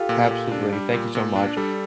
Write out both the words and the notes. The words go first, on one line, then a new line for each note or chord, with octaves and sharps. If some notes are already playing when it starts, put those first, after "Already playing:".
Absolutely. Thank you so much.
Already playing: F4 G4 A4
A#2
A#2
D4
G3
A#2
A#2
D4
G3 A4